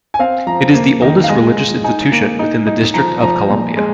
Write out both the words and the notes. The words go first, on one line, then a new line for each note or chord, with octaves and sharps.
It is the oldest religious institution within the District of Columbia.
G#5
C4 F5
F3 A#5
A#3
D#3 D#5
F5
G#3 D#5
G#3
D#4 G#5
A#3
D#4
D#4
F3 A#5
F3 A#5
A#2
G#3